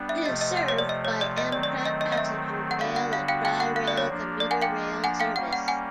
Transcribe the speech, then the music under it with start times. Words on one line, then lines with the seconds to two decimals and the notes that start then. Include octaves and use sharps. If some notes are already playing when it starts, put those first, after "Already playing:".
It is served by Amtrak passenger rail and Tri-Rail commuter rail service.
Already playing: G3 B3 D4
0.09 E5
0.26 C3 F3 A3 D#5
0.41 D#5
0.57 F#5
0.68 C#5
0.78 D5
0.89 D#5
1.05 C#5
1.21 D5
1.38 D#5
1.52 D#3 F#3 A3 C4 D5
1.63 D5
1.86 D#5
2.01 D#5
2.12 D#5
2.17 E5
2.71 F#5
2.81 D3 G3 B3 D4 F#4 F5
2.96 F#5
3.13 F5
3.28 F5 G5
3.45 F5 G5
3.60 F#5
3.76 F5
3.88 D5
3.97 C#5
4.09 F3 A#3 D4
4.40 D5
4.51 F#5 G#5
4.62 F5 G5
5.04 F#5 G#5
5.20 F5 G5
5.36 G3 A#3 C#4 F#5
5.53 F#5
5.68 F#5 G#5